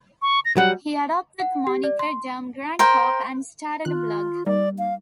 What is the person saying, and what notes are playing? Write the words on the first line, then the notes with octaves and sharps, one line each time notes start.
He adopted the moniker "Dorm Grandpop" and started a "blog".
C#6
A#6
F#3 G3 F#5
F#5
G4
D5
C6
A#4 C5 G5
D#3 F4 F#6
G3 A#3 D#4 D5
F5